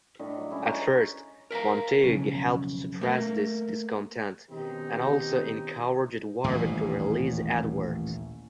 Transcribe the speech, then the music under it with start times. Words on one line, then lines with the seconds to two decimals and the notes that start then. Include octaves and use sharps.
At first, Montagu helped suppress this discontent, and also encouraged Warwick to release Edward.
0.19 A2 D4 D#5
0.37 F#3
0.50 G#3 C#4 E4
0.64 C#5 A#5
1.51 A#4 E5 F5 A#5
2.03 B1 F2 C#3
3.01 A3 A#3
4.50 B2 D#3 C4 C#4 D#4 G4
6.44 D#1 A1 A2